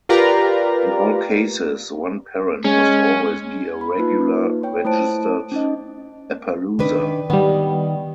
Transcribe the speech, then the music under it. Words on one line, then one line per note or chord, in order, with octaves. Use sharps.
In all cases, one parent must always be a regular registered Appaloosa.
F4 G4 A#4 B4 D5 A#5
G#3 C#4
B5
A#3 D#4 F4 B4
C#5 G5
A3 E4 C5 A5 D7
C#4 D#4 D#5
D#3 D4 B4
D#3 G3 B3